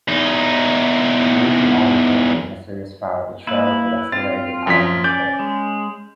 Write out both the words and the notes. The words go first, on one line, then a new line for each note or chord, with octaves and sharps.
The leaking oil resulted in a serious fire which rapidly accelerated out of control.
E2 D#4
A#3 E4 B4
C4 F4 A6
F#2 F3 B6
C#4 D5 G6
G#3